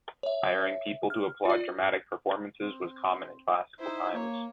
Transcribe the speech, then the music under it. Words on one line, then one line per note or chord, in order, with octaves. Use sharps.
Hiring people to applaud dramatic performances was common in classical times.
C#5 E5
F6
F4 D5
C4
D#4 E4 C5
A#3 C#5